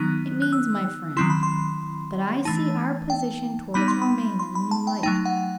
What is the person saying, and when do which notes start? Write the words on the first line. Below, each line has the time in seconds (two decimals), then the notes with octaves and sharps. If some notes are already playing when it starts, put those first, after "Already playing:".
It means, my friend, that I see our position toward Romayne in a new light.
Already playing: D#3 F#3 B3 D#4 F#6
0.42 F#6
0.53 E6
1.17 D#3 F#3 C4 E4 C6
1.30 B5
1.43 C6
2.45 E3 A3 D#4 A5
3.10 G5
3.74 G3 B3 D#4 B5
3.88 C6
4.02 B5
4.39 C6
4.55 B5
4.71 A5
4.87 G5
5.03 F#3 A3 D#4 G5
5.25 F#5